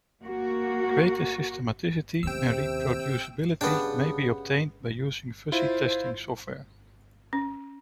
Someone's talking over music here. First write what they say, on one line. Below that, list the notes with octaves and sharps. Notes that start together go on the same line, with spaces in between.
Greater systematicity and reproducibility may be obtained by using fuzz testing software.
A#3 F#4
D#2 C3 C#4 G5 E6
C#3 G3 B3 D4 B4 G5
E4 F4 C5
C#4